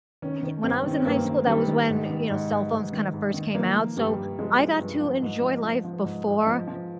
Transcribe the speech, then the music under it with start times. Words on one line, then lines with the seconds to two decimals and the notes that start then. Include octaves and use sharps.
y when I was in high school that was when, you know, cell phones kind of first came out, so, I got to enjoy life before
0.22 D#3 C#4
0.43 D#3
0.63 G2 C4
0.84 D#3
0.91 C#4
0.98 C4
1.05 G2 A#3
1.26 D#3
1.47 D#3 G3
1.68 D#3
1.89 G#2
2.10 D#3
2.30 G#2
2.50 G#2
2.72 G#2
2.93 D#3
3.13 G#2
3.34 D#3
3.55 F3 A#3
3.76 F3
3.97 G2 G3
4.17 G2
4.39 F3 G#3
4.59 F3
4.79 G2
5.01 F3
5.22 G#2
5.42 F3
5.63 F3
5.85 F3
6.04 G#2
6.26 G#2
6.47 F3
6.68 F3